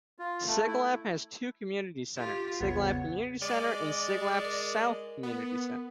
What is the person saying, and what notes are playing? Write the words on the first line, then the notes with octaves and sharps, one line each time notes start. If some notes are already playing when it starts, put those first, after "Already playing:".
Siglap has two community centres, Siglap Community Centre and Siglap South Community Centre.
F4
A3
E4
F4 G4
A1 E2 C#3 B3 C#5
G#3 D5
A#4
B3